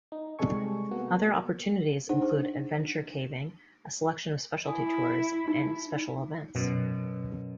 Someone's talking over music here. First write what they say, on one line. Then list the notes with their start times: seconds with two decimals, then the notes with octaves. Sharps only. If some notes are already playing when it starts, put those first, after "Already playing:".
Other opportunities include adventure caving, a selection of specialty tours and special events.
0.12 D#4
0.39 C3 G3 G#3 A4 G#5 C#6
0.91 A#3 B3 F#4
2.09 D4 D#4 G#4 C5 F#5
4.67 E4 G#5 D#6
5.48 D#4
6.55 F#2 B2